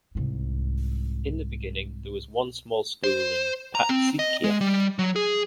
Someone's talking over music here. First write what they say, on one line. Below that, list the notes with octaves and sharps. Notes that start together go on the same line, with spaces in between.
In the beginning, there was one small school in Patzicia.
C2 G#2
C5
A#5
C4
D#5
G#3
G3
F#3
G#4